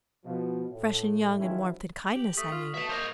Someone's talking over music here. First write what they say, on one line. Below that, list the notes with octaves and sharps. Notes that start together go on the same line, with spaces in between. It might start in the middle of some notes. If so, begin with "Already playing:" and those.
'Fresh and young in warmth and kindness, I mean.
B2 F3
A2
D#3 F3 F#3 G#3 C#4 E4
G4 F#7
A3 C#6 D#6 B6
F4
B2 E5 A5
A#3 C5 D#5 F7